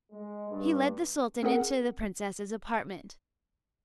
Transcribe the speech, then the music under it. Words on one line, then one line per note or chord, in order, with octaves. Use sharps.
He led the sultan into the princess's apartment.
G#3
G2
C4 G#4 A#4 F#5